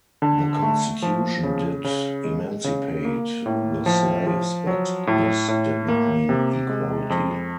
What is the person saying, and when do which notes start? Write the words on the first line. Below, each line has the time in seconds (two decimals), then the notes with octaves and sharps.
The constitution did emancipate the slaves, but this did not mean equality.
0.22 D3
0.63 A3
1.02 F3
1.43 C#3
1.84 C#3
2.24 G#3
2.64 C#3
3.05 A#3
3.46 A2
3.86 F3
4.27 F3
4.67 F#3
5.07 A2
5.48 A2
5.88 A#3
6.29 C3
6.69 G#3
7.10 F2